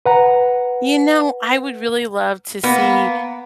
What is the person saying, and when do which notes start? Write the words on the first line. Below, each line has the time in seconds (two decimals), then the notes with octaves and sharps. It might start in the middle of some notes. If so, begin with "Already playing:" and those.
You know, I would really love to see
0.06 B4 F#5 A#5
2.64 A#3 B3